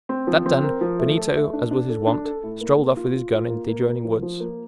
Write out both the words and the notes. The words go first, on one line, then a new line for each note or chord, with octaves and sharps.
That done, Benito, as was his wont, strolled off with his gun into the adjoining woods.
C4
F3
C4
A#4
F3
A3
A4
A3
D4
D4
A4
D4
A4
A2
A#3
A#3
F4
F4
F4
A#3
A#3
A#3
F3
F3
A#3